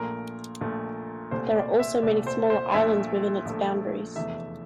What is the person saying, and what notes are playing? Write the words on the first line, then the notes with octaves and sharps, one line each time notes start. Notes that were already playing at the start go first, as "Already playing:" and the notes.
There are also many smaller islands within its boundaries.
Already playing: A#1 A#2 A3 A#4
A#1 A#2 A3
C2 A#2 A3 C5
D5
E5
C2 A#2 A3 D5
C5
C5
A#1 A#2 A3 E5
A#1 A#2 A3
F1 E2 E3 A3 E5